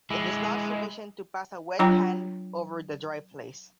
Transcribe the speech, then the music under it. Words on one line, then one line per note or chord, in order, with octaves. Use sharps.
It is not sufficient to pass a wet hand over the dry place.
G#3 E4
F#3 D4 F4 C#5 G5 A#5